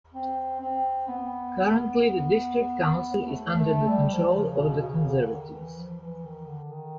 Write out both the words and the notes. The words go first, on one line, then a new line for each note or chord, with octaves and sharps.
Currently the District Council is under the control of the Conservatives.
C4
C4
B3
B3
A3
A3
G3
F3
C#3
B2
C#3
D3
D3
D#3
E3
F3
E3
D#3
D3
D#3